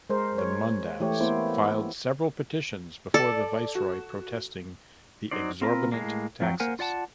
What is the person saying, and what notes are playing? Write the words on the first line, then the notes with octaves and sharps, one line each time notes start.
The Mundas filed several petitions before the viceroy protesting the exorbitant taxes.
G#3 A#4 C5
C#5
E3 A3 G4 C#5
A#3 B3 E4 C5
A4 D5
F#4
F#3 D#4 C5 D5
C4 F4 A#4 B4
A2 G#3 A#3
F2 F3 F#3 G5
A#3 A#4 C5 F#5 G#5
F4 D5 F#5 A5